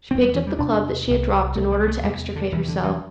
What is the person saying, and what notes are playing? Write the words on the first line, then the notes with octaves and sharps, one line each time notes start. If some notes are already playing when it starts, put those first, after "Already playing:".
She picked up the club that she had dropped in order to extricate herself.
E2 C3 C4
G3
E3
G3
E2 C3 D4
C2 C3
C2 C3 A3
G3
A3
E2 C3 G3
D3
E2 C3 E3
D3
E3